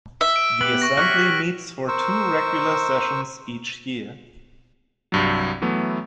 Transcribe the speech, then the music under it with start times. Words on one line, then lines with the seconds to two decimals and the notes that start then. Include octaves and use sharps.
The Assembly meets for two regular sessions each year.
0.21 E5 E6
0.36 D7
0.61 B3 G4 F#7
0.82 C#6 A#6
0.97 F#4 G4 C#5 F6 B6
1.88 A#4 C5 C#6 E6
5.12 C2 G2 F#3
5.62 E3 F#3 A3 B3